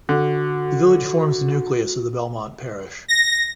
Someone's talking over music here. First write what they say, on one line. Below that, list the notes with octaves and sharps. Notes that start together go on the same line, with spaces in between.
The village forms the nucleus of the Belmont parish.
D3 F#4
A#6